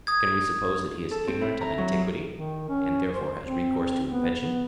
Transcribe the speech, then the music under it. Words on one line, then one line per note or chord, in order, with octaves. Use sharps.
Can we suppose that he is ignorant of antiquity, and therefore has recourse to invention?
D#6 G#6
A4
C4
E4
A#5
F#3
D#3
C#4
C5
C4
B3
B3